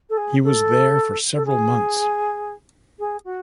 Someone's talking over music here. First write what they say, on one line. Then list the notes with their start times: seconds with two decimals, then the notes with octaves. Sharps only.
He was there for several months.
0.09 A4
0.17 G#4
0.44 A4
1.34 A4
1.45 G#4
2.99 G#4
3.25 F#4